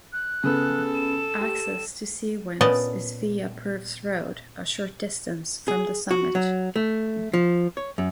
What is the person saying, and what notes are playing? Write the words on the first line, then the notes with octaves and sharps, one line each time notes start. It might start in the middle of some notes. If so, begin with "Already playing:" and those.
Access to Sea Winds is via Purves Road a short distance from the summit.
F#6
C#3 B3 A4
E7
G4
A#2 B3 C#4 D5 D#5 A5
G#4
F#4
F#3
A3
F3
C#5
F#2